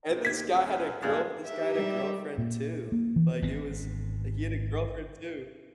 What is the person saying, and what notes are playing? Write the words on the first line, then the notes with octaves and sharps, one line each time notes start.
And this guy had a girl this guy had a girlfriend too. Like, it was like, he had a girlfriend too.
B1 C3
D#2 G#6 B6
D#1 F#2
E1 G2 A#2 G#3 D5
D#4 G4 E5
G3 E5
A#2
A#3
E3
G#1 G#2 B3 C4